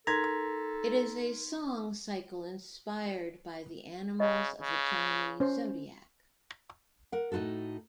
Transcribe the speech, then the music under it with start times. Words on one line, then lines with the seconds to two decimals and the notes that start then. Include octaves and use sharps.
It is a song cycle inspired by the animals of the Chinese zodiac.
0.07 D#4 A4 A#4 A#5 C6 G#6 B6
4.20 C#3 D#5
4.60 C#3
5.40 C#4 C5
7.12 A#4 F#5
7.32 A2 D#4 F4 F#4 A4